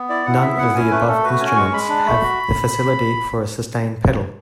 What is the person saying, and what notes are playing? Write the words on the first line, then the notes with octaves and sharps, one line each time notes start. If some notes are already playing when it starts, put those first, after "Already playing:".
None of the above instruments have the facility for a sustain pedal.
Already playing: B3
E4 D5
E4 F#5
B3 E5
E4 F#5
C#4 G#5
A3 B4
A3 A4
F#4 B4
C#4 G#5
G#3 C#6
G#3 B5
D4
A3
F#4